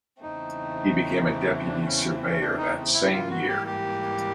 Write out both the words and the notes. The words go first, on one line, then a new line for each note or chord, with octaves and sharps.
He became a deputy surveyor that same year.
E2 C#3 E3 A3 C4 D#4
D4
C#4
C#4
D4
D#4
E4
G#2 E3 G3 A#3 F4
F#4
G4
G4